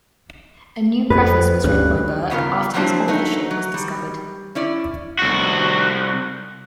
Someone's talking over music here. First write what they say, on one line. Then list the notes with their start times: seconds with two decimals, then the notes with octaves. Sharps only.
A new preface was written by Burke after his authorship was discovered.
1.10 F2 B4
1.64 D2 G2 C#4 F#6
2.30 G2 C#3 B3 F4 A#4
2.74 F3 F#3 A#3 C4 D4 E4
3.08 F#3 A3 D#4
3.51 F#3
3.74 G3
4.55 C#4 E4 D5
5.19 C2 F#4